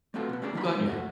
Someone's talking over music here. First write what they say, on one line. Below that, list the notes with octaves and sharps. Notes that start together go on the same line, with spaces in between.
Oh, god, yeah.
A3 B3 C4 F4 F#4 A4
B2 B3
A3 C#4 D4 G#4 A4 D5
D#2 F#3 D#4 F4 F5 B5
F2 G#3 B3 D#4
F#3 A3 F#4